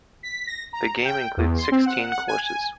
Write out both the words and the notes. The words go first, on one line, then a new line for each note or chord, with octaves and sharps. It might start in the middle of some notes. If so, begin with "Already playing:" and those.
The game includes sixteen courses.
B6
A#6
A#5
G5
E2
C6
C4
F#5
F#5
G#5
G#5